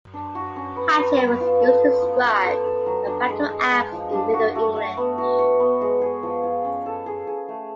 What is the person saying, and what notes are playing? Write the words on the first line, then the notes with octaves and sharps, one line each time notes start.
"Hachet" was used to describe a battle-ax in Middle English.
D4
F#4
C#4
B4
B4
B3
F4
A4
A4
F4
A4
A4
A4
F#3
D4
G#3
G#3
G#3
F3
D4
F#4
A3
A3
B3
F#4
C#5
B3
G#3
G#4
F3
F4
C#4
A4
G#4
G#4
A3